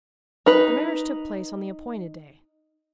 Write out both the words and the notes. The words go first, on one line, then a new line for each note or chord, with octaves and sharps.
The marriage took place on the appointed day.
D#4 B4